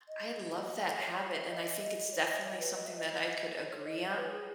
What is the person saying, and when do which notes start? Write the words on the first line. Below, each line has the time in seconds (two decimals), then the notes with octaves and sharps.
I love that habit, and I think it's definitely something that I could agree on,
0.08 D#5
0.86 C#5
1.18 C#5
1.34 E5
1.50 D#5
2.12 C#5
2.24 C#5
2.28 D#5
2.44 C#5
2.60 B4
2.75 D#5
2.86 E5
2.96 D#5
3.70 C#5
3.85 D#5
4.01 C#5
4.16 B4
4.33 G#4